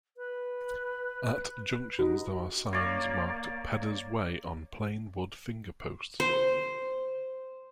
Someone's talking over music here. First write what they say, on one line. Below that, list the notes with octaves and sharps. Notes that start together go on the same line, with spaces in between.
At junctions there are signs marked 'Peddars Way' on plain wood fingerposts.
B4
D#4 F#4
A#3 C#5 D5
C5